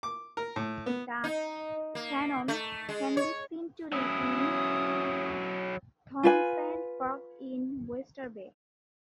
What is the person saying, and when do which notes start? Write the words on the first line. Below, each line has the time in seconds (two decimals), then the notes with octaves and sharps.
The cannon can be seen today in Townsend Park in Oyster Bay.
0.03 D6
0.37 A#4
0.56 A2
0.86 B3
1.24 D#4
1.95 A#3
2.48 A3
2.89 G#3
3.17 C#5
3.92 F#3 C#4 E4 D#6
6.23 F4 B4 G#5